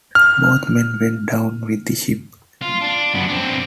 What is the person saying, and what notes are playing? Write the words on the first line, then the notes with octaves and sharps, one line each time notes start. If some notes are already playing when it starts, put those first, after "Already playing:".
Both men went down with the ship.
F6
F4
D4
F#2 B3
C4 D4